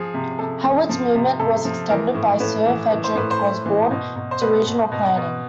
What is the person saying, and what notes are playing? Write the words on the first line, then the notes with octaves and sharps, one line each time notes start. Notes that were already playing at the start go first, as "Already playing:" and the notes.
Howard's movement was extended by Sir Frederic Osborn to regional planning.
Already playing: F3 G#4
C3
C3 A4
F3
F3
C3
C3 A4
F3
E3 A#4
A2
A2 B4
E3
E3
C5
A2 B4
C5
A2
E3
B2
B2
C5
B2 B4
B2
B2
B2